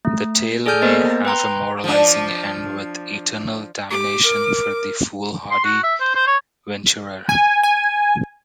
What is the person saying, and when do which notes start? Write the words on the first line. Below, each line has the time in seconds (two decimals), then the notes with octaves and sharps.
The tale may have a moralizing end, with eternal damnation for the foolhardy venturer.
0.05 A3
0.66 G#4 A4 D5 G#5 F6 G6
0.82 A#3 B3 A#4 C5 D#5 A6
1.25 B4 G5 A#5 C6
1.84 F3 D4
3.90 G4 D6
4.23 A#4
5.51 C6
5.64 F#4
5.84 E5
6.01 C5
6.15 C5
6.27 C#5
7.29 G#5
7.63 G#5